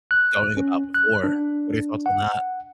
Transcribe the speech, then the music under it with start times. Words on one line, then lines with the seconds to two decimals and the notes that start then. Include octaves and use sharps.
going about before. What are your thoughts on that?
0.11 F#6
0.57 C#4
0.94 F#6
1.24 D4
2.06 F#5